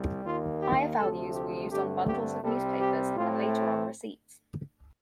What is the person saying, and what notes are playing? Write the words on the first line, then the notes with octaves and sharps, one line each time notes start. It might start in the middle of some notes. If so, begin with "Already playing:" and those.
Higher values were used on bundles of newspapers, and later on receipts.
Already playing: C2 G3
D#2 D#3 A#3 F4
G4
D2 C3 F3 A3 A4
G4
G2 D3 A3 C4 G4
G4
C2 C3 G3 C4 A4
G4
A2 A3 C4 F4